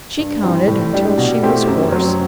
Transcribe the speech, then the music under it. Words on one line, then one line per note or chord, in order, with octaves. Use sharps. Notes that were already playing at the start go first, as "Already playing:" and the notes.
She counted until she was hoarse.
G2
E3 G3 C4
A2
G3 D4 G4
B2
A3 C4 E4 G4
F#2
F#3 C4